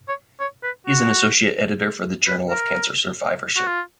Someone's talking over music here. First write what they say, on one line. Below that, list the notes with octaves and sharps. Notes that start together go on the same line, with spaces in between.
He is an Associate Editor for the Journal of Cancer Survivorship.
C#5
C#5
B4
F#4
B4
A#4
F#4
F4